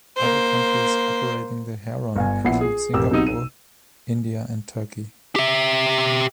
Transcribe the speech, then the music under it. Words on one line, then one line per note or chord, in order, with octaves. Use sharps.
Other countries operating the Heron include Singapore, India and Turkey.
A#3 C5
G1 F5 G#5
A#1 B3 E4 F#5 C7
G#4
A1 F2 G4 A#4 D6 E6
B1 C3 F#3 D#4 E6 D#7
D#7
G4 E5